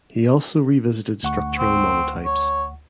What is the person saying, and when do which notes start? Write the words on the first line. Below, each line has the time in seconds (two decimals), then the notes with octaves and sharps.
He also revisited structural monotypes.
1.23 D2 F#5 C#6
1.59 C4
2.25 C#5